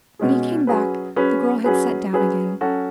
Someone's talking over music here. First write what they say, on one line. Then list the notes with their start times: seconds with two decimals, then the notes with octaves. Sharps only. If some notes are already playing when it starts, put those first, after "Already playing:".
When he came back the girl had sat down again.
0.19 B2 G#3 C#4 G#4
0.67 F#3 C#4 G#4 B4
1.16 F#3 C#4 G#4 B4
1.64 F#3 C#4 G#4 B4
2.13 F#3 C#4 G#4 B4
2.61 F#3 C#4 F#4 A4